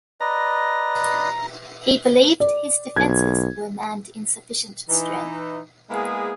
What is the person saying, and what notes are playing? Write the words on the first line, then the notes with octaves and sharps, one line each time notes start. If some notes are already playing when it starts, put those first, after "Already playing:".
He believed his defenses were manned in sufficient strength.
B4 D5 D#5 A#5
D5
B1 G#6
E3 D#4
G#3 A#3 B3 E4 G#4